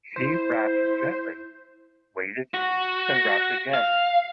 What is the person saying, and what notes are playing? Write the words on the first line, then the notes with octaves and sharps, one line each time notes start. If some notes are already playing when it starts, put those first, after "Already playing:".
She rapped gently, waited, then rapped again.
E4 C5
F#4
F5